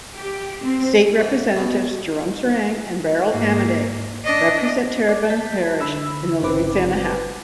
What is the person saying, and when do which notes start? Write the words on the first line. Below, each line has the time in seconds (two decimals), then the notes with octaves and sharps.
State Representatives Jerome Zeringue and Beryl Amedee represent Terrebonne Parish in the Louisiana House.
0.15 G4
0.63 C4
1.20 G#2
1.57 B2
3.30 G#2 A#3
4.24 D4 D#5
5.09 D5
5.30 A5 G6 A6 B6
5.81 D3 B5 E6
6.43 G1 C#3 C4 B4 D6